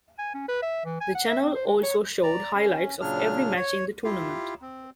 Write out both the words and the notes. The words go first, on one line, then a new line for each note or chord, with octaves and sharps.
The channel also showed highlights of every match in the tournament.
G#5
C#4
B4
E5
E3
G#5
F#5
E5
C4
C5
G#3
C#5
D5 A#5
C#4
A#2 C#3 F#3 D4 F6
C#5
E4 F4 G4 F5
C4